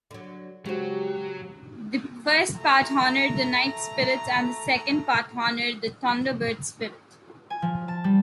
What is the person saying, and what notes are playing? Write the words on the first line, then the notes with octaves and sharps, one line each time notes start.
The first part honored the night-spirits and the second part honored the Thunderbird spirit.
D3 F#3
C#3 F#3 G#3 F#4 G4 C5
A3 A#5
G#5
F3
A5
G3